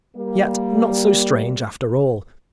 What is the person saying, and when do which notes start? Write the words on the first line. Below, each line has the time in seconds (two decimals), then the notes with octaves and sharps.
Yet not so strange after all.
0.16 G3 A#3